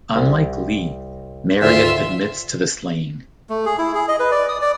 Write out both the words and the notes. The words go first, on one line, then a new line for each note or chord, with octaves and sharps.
Unlike Lee, Marriott admits to the slaying.
C2
G#1 D2 F4 E5
A3
G#4
E4
G#4
D#5
B4
D5
D#6
D5